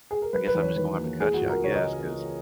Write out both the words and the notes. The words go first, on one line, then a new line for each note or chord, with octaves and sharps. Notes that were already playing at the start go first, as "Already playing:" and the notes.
I guess I'm just gonna have to cut ya, I guess, 'cause,
G#4
A#4
F#3 B4
B4
E2
C#5
D#3 B4
A#3
E3 G#4
F#4
C#2
A#4
C#3 C#5
D#5